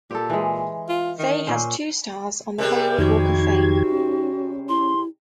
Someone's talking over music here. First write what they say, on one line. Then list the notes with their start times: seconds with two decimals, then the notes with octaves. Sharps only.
Fay has two stars on the Hollywood Walk of Fame.
0.11 A#2 G4 A4
0.30 E3 G#3
0.89 F4
1.19 D#3
1.47 A#2 C#4 C5
2.58 C3 G3 G#3 A#4
2.98 F2 D#3 D#4 F#4 G#6
3.92 C#4
4.69 E4 C6